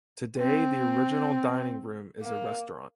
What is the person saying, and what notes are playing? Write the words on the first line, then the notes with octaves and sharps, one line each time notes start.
Today the original dining room is a restaurant.
C4
A#3